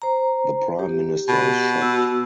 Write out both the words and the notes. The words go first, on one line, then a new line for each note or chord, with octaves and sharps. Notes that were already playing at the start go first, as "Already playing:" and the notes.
The Prime Minister is shocked.
C5 A#5
G4
B2
B3 F#4 E6